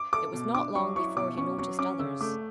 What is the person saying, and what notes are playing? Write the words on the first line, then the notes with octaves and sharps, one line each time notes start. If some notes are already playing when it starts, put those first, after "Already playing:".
It was not long before he noticed others.
Already playing: D6
A4 D6
B2
D4 D6
F#3 C#6
E4 C#6
B2 D6
C#4 C#6
F#3 C#6
C#4 D6
C#3 E6
A3 D6